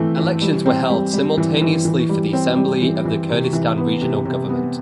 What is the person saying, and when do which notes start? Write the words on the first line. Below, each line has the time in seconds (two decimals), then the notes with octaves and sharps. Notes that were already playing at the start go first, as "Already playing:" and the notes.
Elections were held simultaneously for the assembly of the Kurdistan Regional Government.
Already playing: E3 A3 C4
0.17 E3
0.42 G3
0.66 C4
0.90 G3
1.13 G3
1.38 E3
1.61 E3
1.85 E3
2.09 G3
2.33 C4
2.57 G3
2.82 E3
3.05 E3
3.29 C3
3.53 E3
3.77 B3
4.01 C3
4.25 C3
4.49 B3